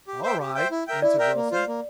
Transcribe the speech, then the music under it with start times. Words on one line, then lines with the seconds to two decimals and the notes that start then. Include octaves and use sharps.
"All right," answered Wilson.
0.07 G4
0.23 C5 E5 G5
0.39 G4
0.55 C5 E5 G5
0.71 E4
0.87 A#4 E5 G5
1.02 E4 D5
1.19 A#4 E5 G5
1.36 A#3
1.52 F4 C5 F5
1.68 A#3